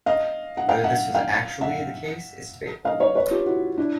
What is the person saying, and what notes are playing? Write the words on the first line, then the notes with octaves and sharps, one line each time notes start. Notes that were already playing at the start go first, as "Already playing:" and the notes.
Whether this was actually the case is debatable.
D#5 F5
F#5
F5 G5
E5 F#5
F5 G5
E5 F#5
D#5 F5
B4 C#5
B4 C#5
F4 G4
E4 F#4
D4 E4